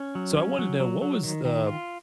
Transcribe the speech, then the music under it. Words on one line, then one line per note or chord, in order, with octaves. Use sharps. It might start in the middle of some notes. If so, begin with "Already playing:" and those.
So I want to know what was the
Already playing: C#4
F#3
C#4
F#3
F#3
F#3
D#3
D#3
F4